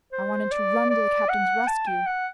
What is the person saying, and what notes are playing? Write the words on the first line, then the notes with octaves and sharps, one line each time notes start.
I wanted to run to the captain's rescue.
C5
D5
D5
F#5
A5
G5
F#5